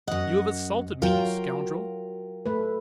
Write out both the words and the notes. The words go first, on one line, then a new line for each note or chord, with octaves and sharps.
"You have assaulted me, you scoundrel!"
F#2 D#5 F#5
F#3 F4 A#4 G5
A3 B4